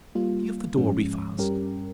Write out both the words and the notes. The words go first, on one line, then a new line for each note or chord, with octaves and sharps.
See if the door be fast.
G3 A#3 F4
G#2 F3 G#3 C#4
G2 G3 C#4 G4 A#4